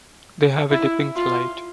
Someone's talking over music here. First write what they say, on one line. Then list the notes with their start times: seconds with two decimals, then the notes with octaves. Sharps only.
They have a dipping flight.
0.71 E4
1.16 F4